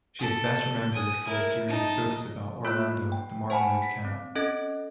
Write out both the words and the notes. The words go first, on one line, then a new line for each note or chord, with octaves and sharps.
She is best remembered for her series of books about Orlando the Marmalade Cat.
A4
G#5 D#6
E4 A#4
D#4 A5
A#3 F4 B5 F#6
G5
C5 F#5 G#5 A5 B5
B6
C4
C#4 A4 D#5 G#6 A6